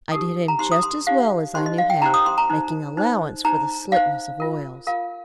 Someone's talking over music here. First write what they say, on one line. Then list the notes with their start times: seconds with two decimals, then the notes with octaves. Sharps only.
I did him just as well as I knew how, making allowance for the slickness of oils.
0.11 D#4 G4 A#4 D#6
0.48 A#5
0.59 D#4 G4 C5 C6
0.72 D#6
0.83 C6
1.07 D#4 G4 C5 F5
1.54 D#4 G4 C5 C6
1.66 D#5
1.78 F5
1.90 G5
2.02 D#4 G4 C5 A#5
2.14 D#6
2.26 C6
2.38 A#5
2.50 D#4 C5
2.97 D#4 C5
3.44 D#4 C5 A#5
3.92 D#4 C5 F5
4.40 F4 A#4
4.87 F4 A#4 F5